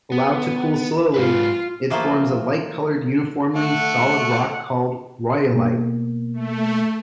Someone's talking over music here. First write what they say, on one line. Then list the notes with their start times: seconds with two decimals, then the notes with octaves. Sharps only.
Allowed to cool slowly, it forms a light-colored, uniformly solid rock called rhyolite.
0.12 B3
1.14 G#2 C#3 F4 B4
1.90 E3 F3 A3 A#3 F4
3.55 A3 F#5
5.51 B2 A#3
6.34 A3